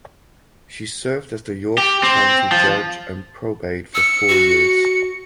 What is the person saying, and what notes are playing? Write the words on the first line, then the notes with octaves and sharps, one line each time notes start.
She served as the York County Judge of Probate for four years.
G4
C4
F3
E6 C#7
F#4